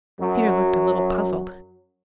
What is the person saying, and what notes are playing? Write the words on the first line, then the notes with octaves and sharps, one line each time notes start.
Peter looked a little puzzled.
F#2 F#3